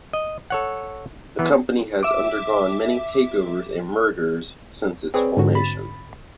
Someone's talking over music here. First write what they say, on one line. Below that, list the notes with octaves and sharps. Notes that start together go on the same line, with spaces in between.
The company has undergone many takeovers and mergers since its formation.
D#5
A4 C#5 F#5
E3 B3
E5 D6
C4 G#4 B4 C#5 D5
G#2 D3 F#4
B5 A6